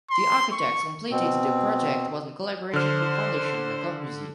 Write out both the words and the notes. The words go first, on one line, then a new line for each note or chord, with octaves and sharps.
The architects completed the project was in collaboration with Fondation Le Corbusier.
C6
C#6
B2 C4
D3 C5 F6